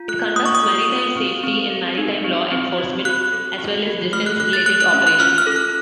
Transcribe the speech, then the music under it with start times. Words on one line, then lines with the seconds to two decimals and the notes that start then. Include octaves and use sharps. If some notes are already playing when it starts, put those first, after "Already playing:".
It conducts maritime safety and maritime law enforcement as well as defence-related operations.
Already playing: F4
0.09 A4 F#6
0.36 A#3 D#6
0.46 C#6
0.55 D#6
0.63 F4
0.90 C4
1.17 C4
1.43 C4
1.70 A4
1.98 D#4
2.24 C4
2.52 C4
2.78 F#4
3.05 F#4 F#6
3.32 A4
3.58 C4
3.86 F#4
4.13 A3 F6
4.26 F#6
4.40 A4 F#6
4.53 A6
4.66 A3 F#6
4.81 F#6
4.94 C#4
5.07 F#6
5.20 F4 F6
5.38 F6
5.47 A4
5.56 F#6